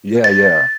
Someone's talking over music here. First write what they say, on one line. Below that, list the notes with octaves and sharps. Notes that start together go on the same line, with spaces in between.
Yeah, yeah.
A6